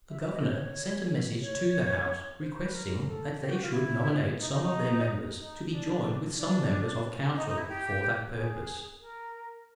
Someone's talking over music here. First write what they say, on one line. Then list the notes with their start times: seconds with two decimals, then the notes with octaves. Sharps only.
The governor sent a message to the house, requesting that they should nominate some of their members, to be joined with some members of council, for that purpose.
0.10 E5
0.21 E5
0.32 D#5
0.43 C#5
1.42 C#5
2.41 C5
2.52 C5
2.63 B4
2.74 A#4
3.07 A4
3.40 G4
3.51 F#4
3.62 F4
3.72 E4
4.39 D#4
4.49 D#4
4.61 D#4
5.38 D#4
5.71 D4
6.37 D4
7.35 D#4
7.47 D#4
7.57 E4
7.68 G4
8.34 G#4
9.00 A#4